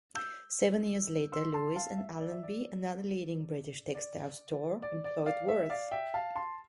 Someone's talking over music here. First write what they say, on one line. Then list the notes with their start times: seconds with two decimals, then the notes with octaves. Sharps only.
Seven years later, Lewis and Allenby, another leading British textiles store, employed Worth.
0.15 E6 G6
1.32 C6 E6
1.54 A5 C6
1.76 F5 A5
1.98 E5
2.20 D5
2.32 E5
2.43 D5
3.95 D5
4.82 D5
5.04 D5
5.26 D5 F5
5.48 E5
5.70 D5 F5
5.91 E5 G5
6.14 F5 A5
6.35 A5 C6